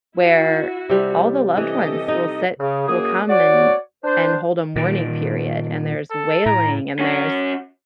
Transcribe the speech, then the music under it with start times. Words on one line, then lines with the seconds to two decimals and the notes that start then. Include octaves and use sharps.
where all the loved ones will sit will come and and hold a mourning period. And there's wailing, and there's,
0.16 E4 F#4
0.90 C3 G3
1.57 E3 G4 A4 D#5
2.08 D#4
2.59 C#3
2.87 F#2 A#3 G#4 D#6
3.28 F#4 C#5 D5
4.04 D4 C5
4.76 A#2 D#3
6.11 A4
6.46 A2 A#5
6.99 C#4 F#4